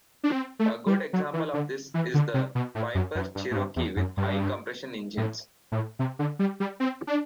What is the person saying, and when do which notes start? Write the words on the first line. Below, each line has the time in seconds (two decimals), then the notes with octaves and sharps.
A good example of this is the Piper Cherokee with high-compression engines.
0.24 D4
0.32 C4
0.59 A3
0.86 G3
1.13 F#3
1.33 E3
1.54 D3
1.94 E3
2.14 D3
2.34 C3
2.55 B2
2.75 A2
2.95 F#2
3.15 F#2
3.35 G2
3.51 A2
3.56 G2
3.76 E2
3.97 F#2
4.17 G2
5.17 A2
5.72 A2
5.99 C3
6.19 D3
6.39 G3
6.60 G3
6.80 C4
7.07 D4